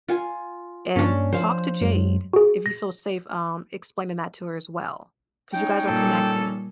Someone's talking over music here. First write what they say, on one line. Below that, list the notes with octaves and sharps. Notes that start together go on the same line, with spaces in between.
and talk to Jade, if you feel safe, um, explaining that to her as well, 'cause you guys are connecting.
F4 G#5
G2 A#3 C#4 D4
F3 C5 F5
F#2 F#3 G#3
F#4 G#4
A#6
C#4 D#4 G5
A#2 G3 A4